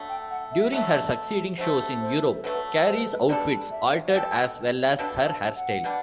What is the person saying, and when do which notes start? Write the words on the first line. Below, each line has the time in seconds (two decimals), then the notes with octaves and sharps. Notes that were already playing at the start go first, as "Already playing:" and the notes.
During her succeeding shows in Europe, Carey's outfits altered as well as her hairstyle.
Already playing: D3 F#3 A3
0.09 G5
0.31 F#5
0.52 E5
0.73 D3 F#3 A3
1.58 D3 F#3 A3 C5
2.01 C5
2.35 A4
2.44 D3 F#3 A3 B4
2.86 C5
2.94 B4
3.03 A4
3.12 B4
3.28 B2 G3 D4 A4 D5
3.71 E5
4.09 F#5
4.13 B2 G3 D4 A4 G5
4.99 B2 G3 D4 A4 A5
5.27 A5
5.56 F#5
5.84 B2 G3 D4